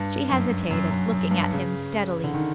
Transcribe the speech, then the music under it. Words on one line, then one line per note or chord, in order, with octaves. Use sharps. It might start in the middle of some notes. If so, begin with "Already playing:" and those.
She hesitated, looking at him steadily.
Already playing: G2
F#2
F#2
F#2
F#2
G2
C#3
D3
D#3